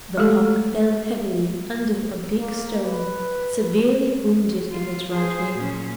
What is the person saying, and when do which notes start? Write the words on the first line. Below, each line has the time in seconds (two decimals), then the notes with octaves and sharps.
The hawk fell heavily under a big stone, severely wounded in its right wing.
0.17 G#3 A3 G4 A4
2.38 A#3
2.85 B4
4.71 F4
5.13 G#4 C5
5.55 A#2 C#4